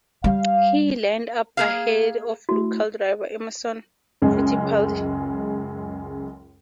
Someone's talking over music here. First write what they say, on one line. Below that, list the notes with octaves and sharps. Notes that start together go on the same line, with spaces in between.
He lined up ahead of local driver Emerson Fittipaldi.
G3 F5
A#3 G#4 F5
A3 E4 F#4
C#2 F#2 G#3